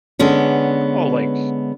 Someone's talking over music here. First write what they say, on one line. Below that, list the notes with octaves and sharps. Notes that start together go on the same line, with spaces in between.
"Oh, like,
D3 G#3 B3 C#4